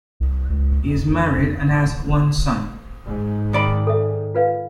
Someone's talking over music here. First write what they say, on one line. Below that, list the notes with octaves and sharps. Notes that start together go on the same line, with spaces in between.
He is married and has one son.
C2
C#2
F2
G#2
D#3 D5 B5
A4 E5
F4 B4 F5